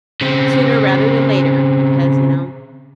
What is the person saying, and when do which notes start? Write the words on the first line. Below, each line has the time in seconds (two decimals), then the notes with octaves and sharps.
sooner rather than later, because, you know,
0.21 C#3 C4